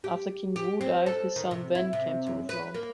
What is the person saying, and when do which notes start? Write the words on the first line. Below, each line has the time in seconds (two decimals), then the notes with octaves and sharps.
After King Wu died and his son, Wen, came to the throne.
0.04 G4
0.56 G4
0.81 C4
1.06 A4
1.36 D#3
1.51 C3
1.75 E4
1.93 C3
2.27 F#2
2.49 B4
2.74 A#3